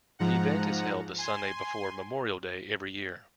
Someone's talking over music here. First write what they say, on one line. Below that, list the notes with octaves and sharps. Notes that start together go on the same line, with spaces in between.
The event is held the Sunday before Memorial Day every year.
G#2 F3 F#5 A#5
G#5 C6